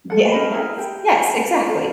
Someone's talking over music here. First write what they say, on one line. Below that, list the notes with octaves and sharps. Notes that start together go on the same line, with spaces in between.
Yeah, yes, yes, exactly,
A4 F#5
C#4 G4 D#5 B5
E4 G#4 A#4 E5
G4 G5
F#5
F4 A4